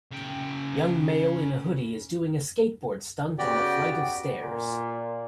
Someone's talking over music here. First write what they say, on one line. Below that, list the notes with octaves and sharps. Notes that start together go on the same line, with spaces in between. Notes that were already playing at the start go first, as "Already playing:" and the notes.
Young male in a hoodie is doing a skateboard stunt on a flight of stairs.
C#3 G5
C#3 B3 F#4 G4 D5 G5
A#2